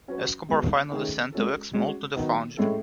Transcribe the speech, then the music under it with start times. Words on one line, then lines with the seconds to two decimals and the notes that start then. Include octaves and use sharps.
Escobar finally sent a wax mold to the foundry.
0.08 F#3 C#4 F#4 B4
0.49 G#3 B3 F#4
0.91 D#3 A3 C#4 G#4
1.32 G#3 C#4 F#4 A4
1.73 G#3 C#4 F#4
2.15 D#3 F#3 B3 D#4
2.57 A2 G#3 C#4 E4 A4